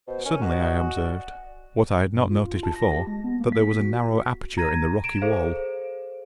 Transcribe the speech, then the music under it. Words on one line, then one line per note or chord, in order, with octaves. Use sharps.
Suddenly I observed, what I had not noticed before, that there was a narrow aperture in the rocky wall.
B2 C5
C#4 A#4
F#4 D#5
G#5
D5
G2
F4
A5
A#6
G4
G#3
B3
A#3
B6
F#4
A#5 G#6 A#6 D#7
D7 E7
G#4 A4 C5 F5